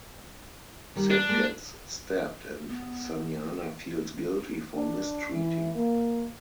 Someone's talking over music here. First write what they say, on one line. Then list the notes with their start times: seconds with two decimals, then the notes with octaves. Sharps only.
Sid gets stabbed and Sanjana feels guilty for mistreating.
0.96 D#3 G3
1.10 D4
1.28 G#3 A#3
2.69 B3
4.75 D4
5.31 E3
5.75 A#3